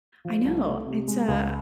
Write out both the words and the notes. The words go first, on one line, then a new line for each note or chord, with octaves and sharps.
I know, it's uh,
F3
C2
A3
C3
G#3
C#2